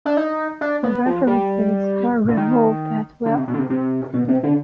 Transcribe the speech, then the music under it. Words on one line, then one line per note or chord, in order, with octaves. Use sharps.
The references were removed as well.
D4
D#4
D4
B3
F3
G3
D3
D#3
D3
C3
B2
D3
C3
C3
B2
C3
D3